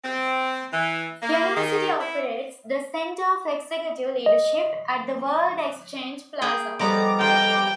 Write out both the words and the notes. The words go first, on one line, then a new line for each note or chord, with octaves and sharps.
The university operates the Centre for Executive Leadership at the World Exchange Plaza.
C4
E3
A#3
D#3
E4
D#5
A#3 G#4 G5
F3 G3 B3 A4 D#5 A#5 D6
F4 G5